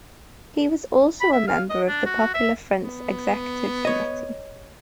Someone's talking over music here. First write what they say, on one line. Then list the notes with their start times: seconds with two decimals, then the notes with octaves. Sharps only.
He was also a member of the Popular Front's executive committee.
1.21 B5
1.33 E5
1.48 F5
1.70 D#5
1.88 D4
2.06 F#4
2.34 E5
2.83 B3
3.85 C#5 D#5